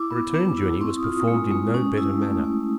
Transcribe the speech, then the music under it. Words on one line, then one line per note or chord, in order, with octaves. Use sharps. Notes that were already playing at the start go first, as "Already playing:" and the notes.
The return journey was performed in no better manner.
Already playing: E4 D6
B3
B3
E4
C4 C#6
D#6
F4
D#6
G#3
G#3
C#4
E4
A3
A3